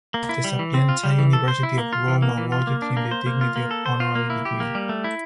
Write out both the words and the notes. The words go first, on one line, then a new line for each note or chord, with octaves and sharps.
The Sapienza University of Rome awarded him the dignity of Honorary degree.
A#3
E4
G3
E3
C4
F4
G3
E3
A4
C5
E4
A#3
F4
E3
A#3
E3
F4
A#3
D4
A#3
C5
A#3
F4
A#3
A4
C5
F4
A#3
E4
G4
A#3
G3
A3
E4